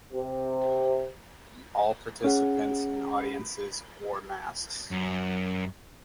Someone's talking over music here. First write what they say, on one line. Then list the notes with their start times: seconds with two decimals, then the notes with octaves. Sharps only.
All participants and audiences wore masks.
0.13 C3
2.24 C#4 G#4 F#5
4.91 F#2